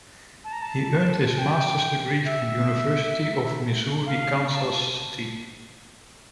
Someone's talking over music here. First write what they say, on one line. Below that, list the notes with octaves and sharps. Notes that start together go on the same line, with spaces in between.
He earned his master's degree from University of Missouri-Kansas City.
A5
A#5
A5
A5
G5
E5
F5
A#5
A5